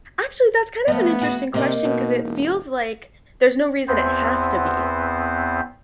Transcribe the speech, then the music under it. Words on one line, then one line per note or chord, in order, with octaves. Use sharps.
actually, that's kind of an interesting question 'cause it feels like there's no reason it has to be.
F3 A3 B3
F#4 G#4 B4
C3 A#3 D#4 D5
B2
E1
E2 B3 C4 C5